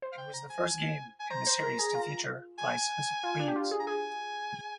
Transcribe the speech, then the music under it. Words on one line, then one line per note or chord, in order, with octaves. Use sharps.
It was the first game in the series to feature licensed leagues.
C5
F5
G5
A#5
G#5
G#5
C5 A#5
C5
A#4
G#4
F4
G#5
F4
D4
G4
F4
G#4
A#5
G#4 G#5